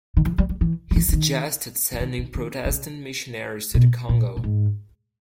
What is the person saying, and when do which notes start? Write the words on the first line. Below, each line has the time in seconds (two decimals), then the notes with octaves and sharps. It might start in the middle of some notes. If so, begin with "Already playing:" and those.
He suggested sending Protestant missionaries to the Congo.
0.17 D#3
0.26 E3
0.38 G3
0.49 G3
0.61 E3
0.91 G3
0.96 E3
1.08 E3
1.13 D#3
1.93 E3
2.00 D#3
2.18 D#3
2.35 D#3
2.65 D#3
2.70 C#3
3.74 B2
4.09 A#2
4.37 A#2
4.44 G#2